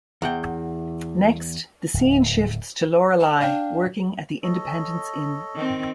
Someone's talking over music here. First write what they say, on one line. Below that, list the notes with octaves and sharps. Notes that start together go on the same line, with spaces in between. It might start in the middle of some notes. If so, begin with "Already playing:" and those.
Next, the scene shifts to Lorelai working at the Independence Inn.
E2 F#5 G5
D1 D#2
A5
D4 D5 F5 G5
A4 C#5 D#5
D#3 C4